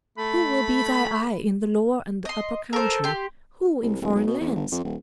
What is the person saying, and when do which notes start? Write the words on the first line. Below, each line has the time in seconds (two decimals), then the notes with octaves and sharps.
Who will be thy eye in the Lower and the Upper Country, who in foreign lands?
0.18 A3 B5
2.25 D#5 C6
2.73 A4 A#4 C5
3.04 G4 C6
3.83 C2
4.01 D1
4.15 B1
4.27 B2
4.41 E2
4.55 G1
4.72 F2
4.84 D#1